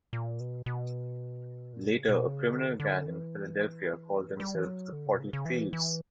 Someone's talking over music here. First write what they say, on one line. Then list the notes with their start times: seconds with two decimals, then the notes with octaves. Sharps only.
Later a criminal gang in Philadelphia called themselves the Forty Thieves.
0.13 A#2
0.40 B2
0.66 B2
1.73 A#2
1.85 B2
1.90 C#3
2.09 B2
2.27 C#3
2.53 D3
2.80 D3
3.07 E3
4.40 G3
4.55 E3
4.65 F#3
4.92 D3
5.06 C#3
5.15 B2
5.19 C#3
5.33 C#3
5.45 E3
5.73 E3